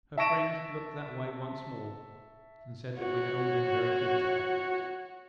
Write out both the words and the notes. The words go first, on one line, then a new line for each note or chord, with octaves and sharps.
Her friend looked that way once more, and said that we had all been very good to her.
E5 A5 C#6 A#6 D7 E7
F#4 C#5